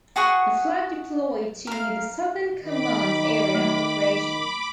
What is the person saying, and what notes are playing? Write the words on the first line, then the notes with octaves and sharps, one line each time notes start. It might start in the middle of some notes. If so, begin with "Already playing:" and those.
The flag deployed to the Southern Command's Area of Operation.
F#4 G#4 F#5 C#6
A#4 F5
D#3 B5 D6
A3